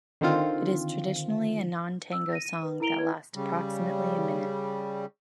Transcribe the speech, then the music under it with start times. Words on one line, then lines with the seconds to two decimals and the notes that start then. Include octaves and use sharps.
It is traditionally a non-tango song that lasts approximately a minute.
0.21 D3 D#3 C4 F4
2.12 E6
2.33 A#6 D#7
2.46 D#7
2.63 B4
2.80 E4 A#4 A#5 D7 F7 G7
2.99 E4 B4 G#6
3.35 C#3 G3